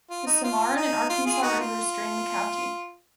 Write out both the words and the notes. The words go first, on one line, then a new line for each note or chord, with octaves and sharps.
The Cimarron and Arkansas Rivers drain the county.
F4
D#4
F4
D#4
F4
F4 G#4
D#4 F#4
F4